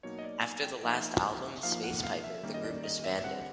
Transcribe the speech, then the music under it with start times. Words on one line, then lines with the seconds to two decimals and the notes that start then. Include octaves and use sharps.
After the last album, "Space Piper", the group disbanded.
0.03 B2 F#3 A#3 D#4 C#5
0.19 D#5
0.24 D5
0.44 G#5
0.64 G5
0.83 F3 A#3 D#4 E5
1.63 F3 A#3 D#4 F5
1.84 F#5
1.97 F#5
2.04 F5
2.24 E5
2.43 D#3 G3 A#3 C#4
2.54 D#5
2.64 D5
2.84 D#5
3.04 E5
3.24 D3 G3 C4 F#5